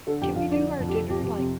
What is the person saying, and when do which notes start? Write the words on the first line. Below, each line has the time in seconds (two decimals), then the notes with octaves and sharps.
can we do our dinner, like,
0.07 D3 A4
0.22 F2 G4 G5
0.36 F2 F4 F5
0.50 D3 D4 D5
0.65 D3
0.80 F2
0.88 G4
0.94 C3 A4
1.09 F2 G4
1.23 F2 G4
1.38 C3